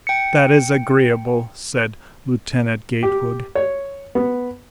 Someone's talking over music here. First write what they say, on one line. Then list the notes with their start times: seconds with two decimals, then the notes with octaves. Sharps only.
"That is agreeable," said Lieutenant Gatewood.
0.07 G5 C#7
3.03 G4
3.55 C#5
4.15 B3